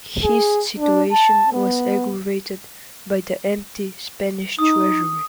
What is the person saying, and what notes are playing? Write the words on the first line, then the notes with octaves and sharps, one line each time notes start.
His situation was aggravated by the empty Spanish treasury.
G#4
D4
A5
B3
D#4 D#6